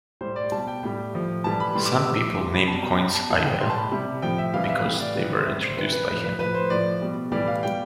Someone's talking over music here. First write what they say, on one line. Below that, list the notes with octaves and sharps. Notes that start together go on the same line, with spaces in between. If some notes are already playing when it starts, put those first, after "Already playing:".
Some people name coins "ayora" because they were introduced by him.
A2 G3 C5
D5
B2 G3 A5
G5
A2 G3
A2 F3
A2 E3 G3 A5
B5
A2 E3 G3 C6
D6
E6
A2 F3 E6
D6
C3 G3 C6
B5
B2 G3 A5
G5
B2 G3 B5
A5
A2 E3 G3 A5
G5
A2 G3 C6
A5
B5
C3 G3
A2 F3 G5
E5
C3 E3 G3 F5
E5
A2 E3 G3 F5
D5
C3 E3 G3 B4
C5
A2 G3 E5
C5
C3 E3 G3 B4
B4
A2 F3 B4
B4
A2 F3 B4
C5
C5
A2 F3 D5
B2 G3
A2 E3 G3 D5
F5
B2 G3 G5